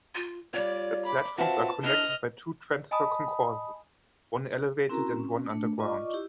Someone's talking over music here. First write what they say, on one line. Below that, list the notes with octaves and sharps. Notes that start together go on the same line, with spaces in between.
The platforms are connected by two transfer concourses, one elevated and one underground.
F4
G3 F4 C#5 D5
B5 D6
C4 F4 F#4 B4 E5 A5
D4 E4 D#5 F6
D#5 G#5 A5 B5 D#6
C4 C#4 E4 F#4 A#4 A#5
C4 C#4
A3 D4
F4 D5 D#5 C#6 D6
E4 G4